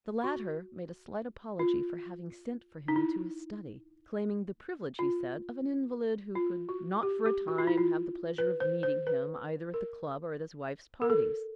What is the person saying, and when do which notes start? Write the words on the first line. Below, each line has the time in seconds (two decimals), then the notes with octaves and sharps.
The latter made a slight apology for having sent for him to his study--claiming the privilege, he said, of an invalid, who could not for a time have the pleasure of meeting him either at the club or at his wife's parties.
0.24 F#4
1.59 F4
2.88 D#4
2.96 E4
4.99 F4
6.35 F4
6.69 F#4
7.03 G4
7.26 G4
7.48 F#4
7.58 F4
7.67 E4
7.78 F4
8.38 B4
8.60 C5
8.83 C5
9.07 B4
9.74 A#4
11.02 A#4
11.10 A4